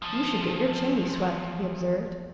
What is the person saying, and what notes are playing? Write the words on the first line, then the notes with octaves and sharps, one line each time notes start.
"You should get your chimney swept," he observed.
E2 F3